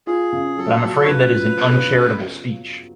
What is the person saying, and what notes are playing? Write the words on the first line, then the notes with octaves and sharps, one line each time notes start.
But I’m afraid that is an uncharitable speech.
F4 G#4
C#3
F#3 A4
F#3
C#5
C#3 B4
F4
B3
C#3